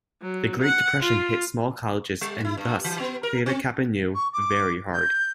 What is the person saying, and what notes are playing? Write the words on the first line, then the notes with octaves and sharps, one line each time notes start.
The Great Depression hit small colleges, and thus Theta Kappa Nu, very hard.
F#3
F#5
F4
G3
E4
G2
E3
B3
A#4
C4
C#6
D6
G6